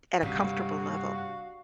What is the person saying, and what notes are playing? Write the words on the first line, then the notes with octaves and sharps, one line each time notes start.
at a comfortable level.
G2 C3 G3 F#4 F5